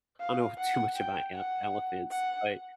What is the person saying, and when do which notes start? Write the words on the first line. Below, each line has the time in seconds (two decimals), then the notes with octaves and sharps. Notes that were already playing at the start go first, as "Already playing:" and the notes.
I don't know too much about el elephants, but
0.21 F5
0.58 F#5
0.96 G5
1.34 F#5
2.11 F#5